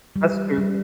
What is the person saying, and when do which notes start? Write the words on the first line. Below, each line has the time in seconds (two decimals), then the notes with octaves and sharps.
That's true. Yeah.
0.16 G3
0.58 G3